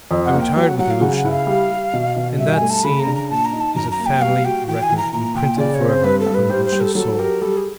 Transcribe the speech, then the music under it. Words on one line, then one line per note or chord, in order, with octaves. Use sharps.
I retired with Ilusha, and that scene is a family record imprinted for ever on Ilusha's soul.
F2
F#5
A#3
G5
F#3 G5
F#5
F#3 F#5
F5
C#3 F#5
F#5
E4
F5
G3
G3
B2
B2
G2 E5
G#5
A3
A5
C#3 B5
A#5
D4
A#5
A#2 A5
A#5
D#4
A5
F#2 A#5
A#5
A#3
G5
G3 F5
F#4 G5
E3 G5
G#5
E3
A#5
A#2 A#5
A#2 G5
C#3 D5
C#5
C4
C5
G2 B4
A4
G2
B4
G3 C5
C5
G3
A4
F#3 A4
G4 A#4
G3 A4
G#4